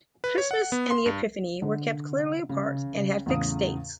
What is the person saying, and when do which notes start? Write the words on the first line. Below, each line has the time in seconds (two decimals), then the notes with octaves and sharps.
Christmas and the Epiphany were kept clearly apart, and had fixed dates.
0.24 B4
0.38 C#5
0.51 F#5
0.72 B3
0.91 C6
1.06 G2
1.62 D3
2.49 C#3
3.26 E2 A2 C#3 F5 D#6